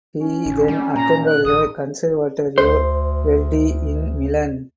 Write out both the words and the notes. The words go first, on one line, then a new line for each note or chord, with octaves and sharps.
He then attended the Conservatorio Verdi in Milan.
C#4
A1
G3
A#2 A#5
F#6
A1 D#6
D2 C5